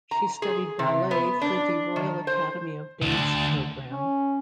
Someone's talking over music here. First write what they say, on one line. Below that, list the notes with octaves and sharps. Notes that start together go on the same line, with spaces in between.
She studied ballet through the Royal Academy of Dance programme.
A#5
G#4
C3
B3
D4
D#3
C5
D2 D3
C#4